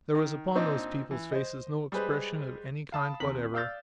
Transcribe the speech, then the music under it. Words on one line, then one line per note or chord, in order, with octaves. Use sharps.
There was upon those people's faces no expression of any kind whatever.
D#3
A#2 C4 D4 D#4
E3
C5 D#5
G3 G#3 G#4 B4 C5
F5 A5 B5 D#6
D#2 C4 A#5 B6 F#7
D5 F5 E6 F6 G6 A6